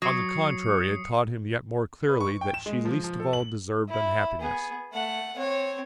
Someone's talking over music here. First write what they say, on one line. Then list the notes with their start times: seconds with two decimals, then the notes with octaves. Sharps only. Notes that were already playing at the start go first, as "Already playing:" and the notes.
On the contrary it taught him yet more clearly that she least of all deserved unhappiness.
0.02 F#3 D#6 C7 C#7
2.09 B4
2.20 C#6
2.41 G5
2.54 E7
2.66 G#3
2.85 F3
3.04 F3
3.20 A4
3.33 F#7
3.89 E4
4.40 B3 G#4
4.92 A3 F#5
5.36 C4 C#5